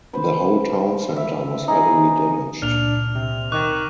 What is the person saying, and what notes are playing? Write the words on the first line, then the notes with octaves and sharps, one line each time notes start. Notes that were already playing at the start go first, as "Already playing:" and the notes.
The whole town centre was heavily damaged.
B4 C5
E5 F5
D#4 G#4 D#5
C#2 A#2 D4 F6 F7
C3
D#3 C#6 D6 F#6